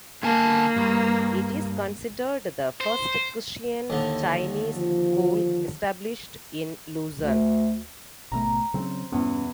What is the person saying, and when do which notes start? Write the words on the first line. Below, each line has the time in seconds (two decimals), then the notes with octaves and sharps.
It is considered the first Christian Chinese school established in Luzon.
0.23 D3 A#3 G#5 A5
0.76 G2
2.81 C5
3.90 D#2 D3
4.77 F3
7.19 D2
8.32 G#1 B2 A3 A#5
8.74 C#3 F#3 C4 C5
9.12 E2 G2 B2 C#4